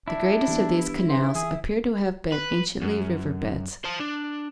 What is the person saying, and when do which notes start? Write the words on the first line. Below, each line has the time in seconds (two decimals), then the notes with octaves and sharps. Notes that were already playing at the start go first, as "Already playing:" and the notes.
The greatest of these canals appear to have been anciently river beds.
0.08 D4 E4
0.48 G2 E3 B3
1.09 C5
1.35 E3 G#4
2.32 B4
2.82 F#2
3.84 C5 A5
4.00 D4